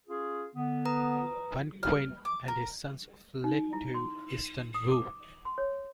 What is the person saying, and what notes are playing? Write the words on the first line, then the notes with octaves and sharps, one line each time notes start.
Wen Qin and his sons fled to Eastern Wu.
C#4 F4 G#4
D3 B3
B4 A#5 D#6
F6
D6
A#4
D#4
E4
C6
D#6
D6
C6
C#5